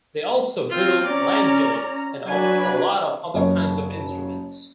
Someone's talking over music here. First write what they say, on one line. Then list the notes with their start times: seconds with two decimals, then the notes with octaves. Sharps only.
They also build langeleiks and a lot of other kinds of instruments.
0.69 C4 F4
1.05 C#4 D5 A#5
2.27 F#3 D4 B4 G#5
3.34 F#1 C#5